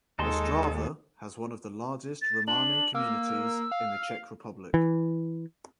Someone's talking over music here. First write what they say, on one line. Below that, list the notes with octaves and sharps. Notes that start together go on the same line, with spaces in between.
Ostrava has one of the largest Romani communities in the Czech Republic.
D#2 G#3 D#4 A4 A5 C6
A6
D4 F#7
A#3 E6
F5
E3